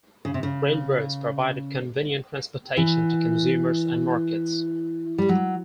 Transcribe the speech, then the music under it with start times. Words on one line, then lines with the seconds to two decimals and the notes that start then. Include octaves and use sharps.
Railroads provided convenient transportation to consumers and markets.
0.25 C#3
0.34 C3
0.43 C#3
2.77 E3
5.18 G3
5.29 F#3